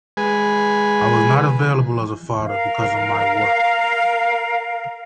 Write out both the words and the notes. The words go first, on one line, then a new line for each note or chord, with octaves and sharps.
I was not available as a father because of my work.
G#3 B4 G#5
A#4 F5